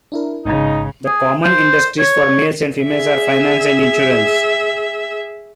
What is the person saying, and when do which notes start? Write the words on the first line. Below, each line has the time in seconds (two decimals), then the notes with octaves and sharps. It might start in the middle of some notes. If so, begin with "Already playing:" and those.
The common industries for males and females are finance and insurance.
0.12 D4 E4 A#4
0.45 A1 G#2 C#3 D#4
1.06 G#4
1.44 C5
1.99 C#5
2.85 G#4 E5